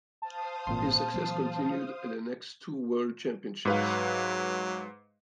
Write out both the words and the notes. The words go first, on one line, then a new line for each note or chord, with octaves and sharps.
His success continued at the next two World Championships.
C5 F5 A5 D#6
G#1 A#2 E3 C4 C6
E3 F#3 A#3
G#2 F#3 B4 F5